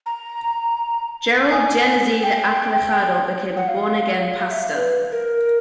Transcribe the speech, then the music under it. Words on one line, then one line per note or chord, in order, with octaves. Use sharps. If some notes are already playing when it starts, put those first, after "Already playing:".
Gerald "Genezide" Acelajado became a Born-Again Pastor.
A#5
G#5
G5
F#5
F5
F5
E5
F5
B4
A#4